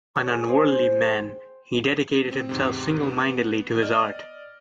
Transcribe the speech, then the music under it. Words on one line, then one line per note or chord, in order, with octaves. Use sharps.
An unworldly man, he dedicated himself singlemindedly to his art.
C#5
G#4
C5
C5
G5
C4
E2 G#2 C3
B3
D5 D#5 F6